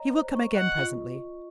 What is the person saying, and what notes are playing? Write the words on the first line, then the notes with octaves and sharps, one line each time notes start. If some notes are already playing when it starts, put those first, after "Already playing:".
He will come again presently.
Already playing: C#5 D#5 A#5
C5
C#6
D#5 F#5
F4